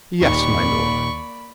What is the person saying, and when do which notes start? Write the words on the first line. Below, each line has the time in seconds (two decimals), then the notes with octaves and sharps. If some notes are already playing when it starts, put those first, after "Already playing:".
"Yes, my lord."
0.21 D#2 A#2 A#3 D#4 G4 D5 B5 C#6